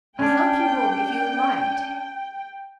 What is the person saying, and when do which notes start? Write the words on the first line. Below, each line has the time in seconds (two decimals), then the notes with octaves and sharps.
"I'll help you home if you've a mind."
0.19 C#4 D4 G5